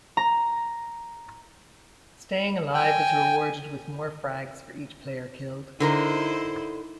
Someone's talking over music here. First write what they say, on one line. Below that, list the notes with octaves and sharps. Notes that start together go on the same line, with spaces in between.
Staying alive is rewarded with more frags for each player killed.
A#5
G5 G#5
D3 D#4 E4 A#4 C5 A#5